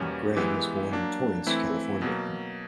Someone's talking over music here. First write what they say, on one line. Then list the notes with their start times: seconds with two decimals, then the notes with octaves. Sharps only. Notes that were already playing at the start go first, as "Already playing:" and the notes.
Graham was born in Torrance, California.
Already playing: E2 B2 G3 A#3 C#4
0.36 E3 G#3 B3 E4 G4
0.92 F#3 A#3 D4
1.46 E3 A3 C4 E4
2.02 B2 F#3 A#3